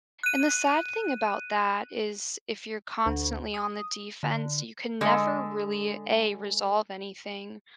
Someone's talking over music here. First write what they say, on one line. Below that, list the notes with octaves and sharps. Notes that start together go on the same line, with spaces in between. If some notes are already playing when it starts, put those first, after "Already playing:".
and the sad thing about that is if you're constantly on the defense, you can never really, A, resolve anything,
F#6 D#7
D2
D#6
D3
D3 G#3 A4 D#5